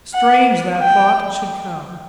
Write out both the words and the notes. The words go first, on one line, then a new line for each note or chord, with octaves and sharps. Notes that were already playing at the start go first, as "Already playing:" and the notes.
Strange that thought should come!
F#5
G5